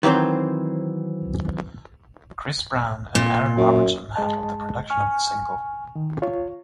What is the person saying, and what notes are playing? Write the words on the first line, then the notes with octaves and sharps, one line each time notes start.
Chris Brown and Aaron Robertson handled the production of the single.
D#3 E3 F#3 C4 C5
A#2
F#2
G2 G#3 D#5 A5
G#5 C#6 F6
D#3
F4 C#5